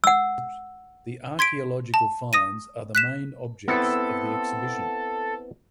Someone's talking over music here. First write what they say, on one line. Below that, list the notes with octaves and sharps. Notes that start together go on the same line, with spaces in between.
The archaeological finds are the main objects of the exhibition.
F#5 E6
C6 G#6 B6 D7
A5
D#6 A#6 D#7
F#6 B6 E7
B3 C4 E4 A4